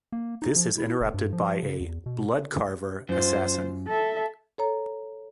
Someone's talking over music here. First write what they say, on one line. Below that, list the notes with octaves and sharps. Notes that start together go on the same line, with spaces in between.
This is interrupted by a "Blood Carver" assassin.
A#3
D#4
F3
E4
F1
G2
F3
C#3
E2
B2
F#2 F4 C5
A4 E5
A4 C#5 A#5